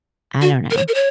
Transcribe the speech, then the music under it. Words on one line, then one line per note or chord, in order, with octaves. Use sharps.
I don't know,
F#4
A#4
C#5
A#4
C#5